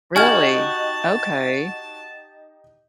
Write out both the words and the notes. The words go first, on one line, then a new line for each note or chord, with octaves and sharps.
Really? Okay.
D#4 F#4 G4 G#5 A5 F6 G#6